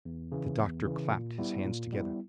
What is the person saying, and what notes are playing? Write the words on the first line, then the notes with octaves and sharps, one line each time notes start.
The doctor clapped his hands together.
E2
C#3 E3
E2
C#3 E3
A#2
G3 B3 E4
A#2
G3 B3 E4